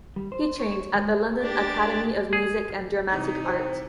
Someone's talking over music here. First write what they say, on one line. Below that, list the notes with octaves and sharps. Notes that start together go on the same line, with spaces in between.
He trained at the London Academy of Music and Dramatic Art.
G3
C5
C#5
G#3
D4 G4 A6
G#4
C3 E3 G3 D#4
C4